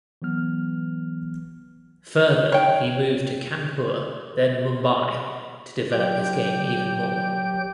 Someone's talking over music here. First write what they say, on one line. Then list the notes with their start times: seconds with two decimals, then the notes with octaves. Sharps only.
Further he moved to Kanpur then Mumbai to develop his game even more.
0.22 E3 F#3 B3 F6
2.52 C#5 G5
5.92 F#3 G4 G5 G6